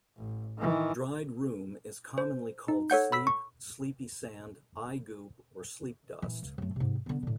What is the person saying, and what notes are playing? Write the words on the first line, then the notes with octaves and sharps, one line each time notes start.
Dried rheum is commonly called sleep, sleepy sand, eye goop or sleep dust.
A1
D#3 E3
C5
D#4
A4 C#5 F#5 G6
B5 E6 B6
C#6
A#2 E3
C#2
F#2 A3
G#2 C3
D3 B3
A2 D3